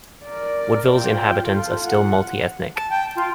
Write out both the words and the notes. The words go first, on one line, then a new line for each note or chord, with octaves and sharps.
Woodville's inhabitants are still multiethnic.
A#4 D5
F4 G5
F4 A4
F4 F#5
A5
G5
F4